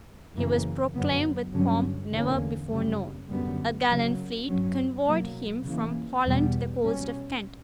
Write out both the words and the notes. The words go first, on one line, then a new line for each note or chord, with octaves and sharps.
He was proclaimed with pomp never before known. A gallant fleet convoyed him from Holland to the coast of Kent.
F#2 C#3 E3 A#3
F#2 D3 F#3 B3
G2 D3 F#3 C#4
E2 D3 A#3 C#4
F#2 C#3 G3
F#2 D3 G3 B3
C#3 F#3 A#3
G2 F#3 C#4
B2 F#3 A#3
C#3 E3 A#3
E2 B2 G3 B3
B2 G3 C#4